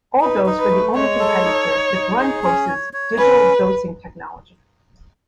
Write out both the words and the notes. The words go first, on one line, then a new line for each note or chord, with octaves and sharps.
Alldos were the only competitor to Grundfos's 'digital dosing' technology.
D#4 B4
D#4
B4
A3
G#3 C#5
A4
D#4
D#4
D#4
G#4
C#4
C#5
C#5
C#4 B4